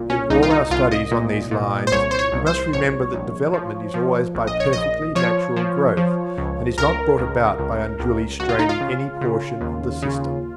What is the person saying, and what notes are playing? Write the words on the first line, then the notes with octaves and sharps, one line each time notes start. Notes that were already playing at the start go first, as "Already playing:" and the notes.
In all our studies on these lines we must remember that development is always by perfectly natural growth and is not brought about by unduly straining any portion of the system.
Already playing: C2 A#2
C#4
C2 D#4
F4
D#4
C2 F4
D#5
A#2
A#2
C5
C2 C#5
C5
C#5
C2
C5
A#1 C#5
A#1
F3
F3
A#1
D#5
C#5
A#1 D#5
F3 C#5
F3
F3
C#2
C#2 A#4
C#2
C#2
C#2
C#2 F#4
F4
D#4
F4
C#3
C#3
D#2
C#3